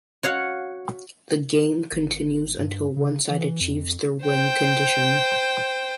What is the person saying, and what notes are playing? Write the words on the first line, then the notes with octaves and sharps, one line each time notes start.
The game continues until one side achieves their win condition.
F#4 C#5 F5 F#5
G#1
G2
C#3
E3
F2
C5 G5